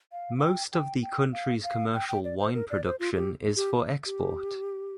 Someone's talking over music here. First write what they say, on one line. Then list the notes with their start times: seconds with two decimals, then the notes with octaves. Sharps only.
Most of the country's commercial wine production is for export.
0.12 F5
0.38 F5
0.42 G5
0.72 G5
1.03 G5
1.33 F5
1.63 F5
1.94 G5
2.09 G5
2.24 D5
2.39 C5
2.54 A#4
2.70 D5
2.85 C5
3.00 F4
3.15 G4
3.56 G4
4.06 G4